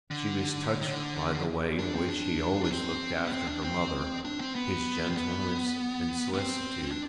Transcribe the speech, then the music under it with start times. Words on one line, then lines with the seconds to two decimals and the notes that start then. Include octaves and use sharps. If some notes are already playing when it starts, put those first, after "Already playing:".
She was touched by the way in which he always looked after her mother, his gentleness and solicitude.
0.11 D3
0.81 D#3
0.88 D3
1.79 D4
1.95 C4
2.10 D4
2.64 D4
2.72 C4
3.26 B3
3.32 C4
3.48 D4
3.63 C4
4.25 D4
4.41 C4
4.55 B3
5.10 C4
5.17 B3
6.34 B3
6.39 C4
6.91 D4